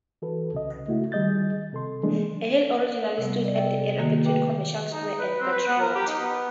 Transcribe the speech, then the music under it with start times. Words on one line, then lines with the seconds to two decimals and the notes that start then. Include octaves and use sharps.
A hill originally stood at the area between Commercial Square and Battery Road.
0.22 E3 F#4 A4 B4
0.53 C2 C#3 D#5
0.88 A3 E4 F#4
1.12 D#3 G3 G#4 D#5 G6 A6
1.73 C3 A4 C6
2.03 E3 F#3 G#3 A#3 D4 G#4
3.18 C3 G3 B3
3.44 D5 D#5
3.56 C3 A4 G5
3.98 D#3 A#3 F#4
4.25 B4 G5 D6
4.92 D#4
5.19 B4
5.41 C4
5.52 B4
5.68 B3
5.80 A#4
5.96 G4
6.07 D#4
6.19 B3